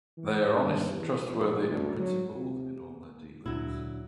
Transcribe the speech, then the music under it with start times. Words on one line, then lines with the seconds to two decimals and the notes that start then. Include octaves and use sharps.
They are honest, trustworthy, and principled in all their dealings.
0.17 E3
0.52 G2
0.92 E2
1.25 A#1
1.68 D2
1.98 F#3
2.35 C3
3.46 D2 A#2 F#3 D4 E4